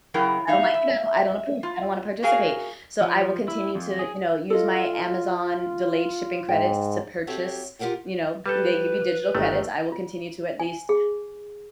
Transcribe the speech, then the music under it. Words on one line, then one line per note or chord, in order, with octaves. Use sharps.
I don't like it, I don't approve, I don't wanna participate. So, I will continue to, you know, use my Amazon delayed shipping credits to purchase, you know, they give you digital credits. I will continue to at least
C#3 F#3 E4 G#4 A#4 G5
A2 D#4 E5 F5
E5
F4
F#4 G#4 A#4 F5 G#5
F3
E4
F2
G#4
F4 A4 D#5
G#2 G5
C4 F#4 G4 A4 C#5 E5
F4 G4 G#4 A#4 F#5 G5
G3 A4 B4
G1 D#3 A3
F4
G#5
G#4